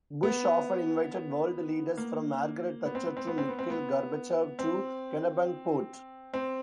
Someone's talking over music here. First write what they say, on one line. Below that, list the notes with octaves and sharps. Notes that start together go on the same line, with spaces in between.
Bush often invited world leaders, from Margaret Thatcher to Mikhail Gorbachev, to Kennebunkport.
B3
A#3
B3
C4
B3
C4
B3
C4
B3
C4
B3
C4
C4